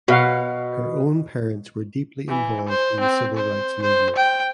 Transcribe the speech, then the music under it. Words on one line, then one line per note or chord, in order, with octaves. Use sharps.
Her own parents were deeply involved in the civil rights movement.
B2 F#4 F5 F#5
E3
C5
C4
C5
C5
G5